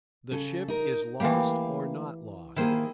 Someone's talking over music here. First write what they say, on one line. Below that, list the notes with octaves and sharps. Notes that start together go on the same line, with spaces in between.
The ship is lost or not lost.
C#3 A4
D#4 A#4
E3 A3 A#3 G4 F5
D#3 A#3 E4 G#4 C5